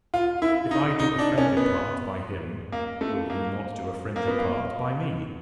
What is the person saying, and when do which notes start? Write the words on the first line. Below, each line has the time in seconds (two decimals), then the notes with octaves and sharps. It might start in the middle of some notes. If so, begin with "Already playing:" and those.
If I do a friendly part by him, will he not do a friendly part by me?
0.14 F4
0.42 E4
0.71 D#4
1.00 D#4
1.19 D4
1.38 C#4
1.57 B3
2.72 A#3
3.01 A3
3.30 A#3
4.16 A#3
4.28 B3
4.39 A#3